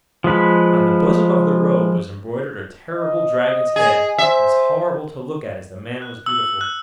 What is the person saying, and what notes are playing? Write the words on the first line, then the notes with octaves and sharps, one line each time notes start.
On the bosom of the robe was embroidered a terrible dragon's head, as horrible to look at as the man was beautiful.
F3 G#3 B4
D#5
G#4
C5 E5
F#6
E6
F#6